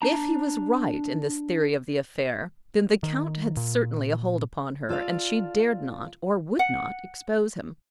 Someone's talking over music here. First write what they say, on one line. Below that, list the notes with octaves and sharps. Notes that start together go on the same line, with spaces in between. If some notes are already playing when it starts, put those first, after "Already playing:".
If he was right in this theory of the affair, then the Count had certainly a hold upon her, and she dared not or would not expose him!
D4 A5 A#5
D#3
A#2
F4 A4 D5 F5
F#5